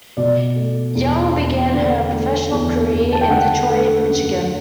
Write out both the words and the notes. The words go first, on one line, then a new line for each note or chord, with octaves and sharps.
Young began her professional career in Detroit, Michigan.
B2 D5
A3
E2
E2
D3 D5
A3
E2
E2
A5
G5
D3 F#5
A3
F#2